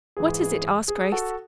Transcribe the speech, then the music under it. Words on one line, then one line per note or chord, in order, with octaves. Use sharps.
"What is it?" asked Grace.
G#2 E3 G#4
G#4
G#4
F#4 A4